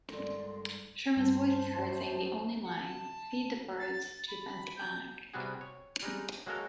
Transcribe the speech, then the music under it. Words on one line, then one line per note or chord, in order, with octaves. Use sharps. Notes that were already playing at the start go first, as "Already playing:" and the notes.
Sherman's voice is heard saying the only line: Feed the Birds, Tuppence a bag.
G2 G#3 A4 A#4 D5 C6
G2 C5 A5
F#2
F#5
A5
A6
B5
G6
C3 G3 B3 F#4 G#4
C#5
G3 G#3 D#4
F#3 G#3 A#3 F#4 A4 A#4